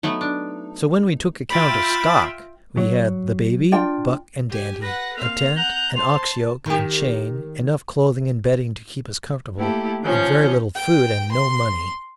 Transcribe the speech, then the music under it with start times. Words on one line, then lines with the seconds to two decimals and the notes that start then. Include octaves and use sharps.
So when we took account of stock, we had the baby, Buck and Dandy, a tent, an ox yoke and chain, enough clothing and bedding to keep us comfortable, a very little food, and no money.
0.03 F#3 A3 B3 D#4
0.21 D4
1.50 F4 E5 G5 B5 A6
2.77 F#3
3.72 D4 F4 G5
4.49 G4 G#5
4.82 B4 F#5 A#6
5.17 A#3 C4 F5 F7
5.56 F#5 A#5 F#6 G6
5.96 C5 A5 C6
6.66 D#3 G4
9.56 A3 A#3 E4 G4 A4
10.02 D#3 F3 C#4 G6
10.75 G5
11.33 C6